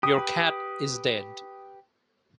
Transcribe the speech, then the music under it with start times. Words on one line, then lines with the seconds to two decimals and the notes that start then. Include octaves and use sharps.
Your Cat Is Dead.
0.03 G4 B4 D#6